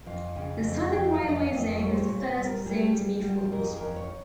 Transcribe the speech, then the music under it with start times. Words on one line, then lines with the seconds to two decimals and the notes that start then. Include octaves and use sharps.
The Southern Railway zone was the first zone to be formed.
0.06 F2 F5
0.36 C#3
0.63 F2
0.92 F2 G5
1.14 F5
1.22 F2
1.29 D#5
1.35 F5
1.50 F2
1.58 D#5
1.79 G3 C#5
1.93 C5
2.00 C#5
2.08 A#2
2.23 C5
2.37 G3
2.45 A#4
2.65 G3 G#4
2.95 G3
3.24 G3
3.52 F2 A#4
3.64 G#4
3.76 A#4
3.81 F2
3.96 C#5